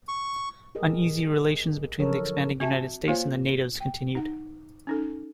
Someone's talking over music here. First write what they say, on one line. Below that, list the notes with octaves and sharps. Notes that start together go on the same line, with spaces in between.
Uneasy relations between the expanding United States and the natives continued.
C#6
G4 G#4 A#4 D#5
D3 F3 F#3 A4 A#4 C#5
C4 F#4 E5 G#5 A5
A#3 F4 C5 C#5 F5 G#5
G5
D#4 F#5
C#4 D#4 A4